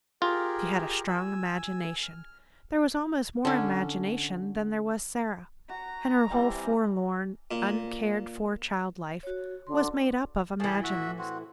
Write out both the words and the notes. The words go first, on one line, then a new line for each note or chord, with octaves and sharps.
She had a strong imagination; there was almost more imagination than there was Sara, and her whole forlorn, uncared-for child-life was made up of imaginings.
F4 G4 G#4 A#4
G#5 E6
F6
D3 C#4
F#4 A#5
C3 E3 G3
A#2
F#4 C#5
D3 C6
A2 E3 G#4 A5
F#4 E5
C4 F#4